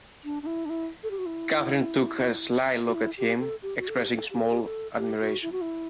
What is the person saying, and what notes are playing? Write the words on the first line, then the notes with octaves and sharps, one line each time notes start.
Catherine took a sly look at him, expressing small admiration.
D4
D4
E4
D4
E4
A4
G4
F#4
E4
F#4
E4
G4
A4
G4
F#4
A4
G4
A4
G4
A4
G4
A4
G4
F#4
E4
F#4
E4